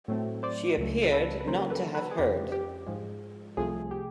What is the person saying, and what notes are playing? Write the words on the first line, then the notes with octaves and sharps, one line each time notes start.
She appeared not to have heard.
A2 F#3 A3 C4
C5 D5
C#2 C#3 F#3 A3
A4 B4
B4
C#3 F#3 A#3 C#4 A#4 C5
A4 B4
A4 B4
G#4
F2 C#3 F3 G4
G4
G#2 F3 G#3
C2 C3 F3 A3 G#4
G4